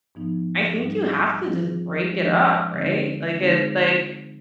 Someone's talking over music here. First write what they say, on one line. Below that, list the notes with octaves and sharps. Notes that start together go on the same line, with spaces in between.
I think you have to just break it up, right? Like, the like,
G#2 F3 B3 D#4
G#2 G3 C4 D#4
F3 C4 F4 G#4
F3 G#3 D4
D3 G#3 C4 D#4
D3 G#3 C4 D#4 G#4